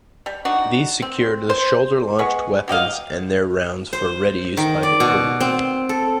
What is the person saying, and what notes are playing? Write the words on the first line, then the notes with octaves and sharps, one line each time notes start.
These secured the shoulder-launched weapons and their rounds for ready use by the crew.
G3
D4 D#4 F#4
C4
C5
G#3 B3 C#6
F#3 G4 D#5 F5
C5
D#3
D5
B2
C4
A4